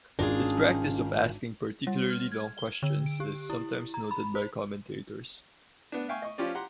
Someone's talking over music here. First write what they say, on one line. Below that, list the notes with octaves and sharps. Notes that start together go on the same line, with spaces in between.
His practice of asking particularly long questions is sometimes noted by commentators.
G#1 D#3 C#4 D4 F4 G#4
G3
F6
G#6
G7
D3
D7
G4
E4
A#5
B5
C5
B3 D4
E5 F5 G5 G#5 C#6
D#5 C#6
F3 C#4 F4 G4 D5
G4 F#5 A#5 C6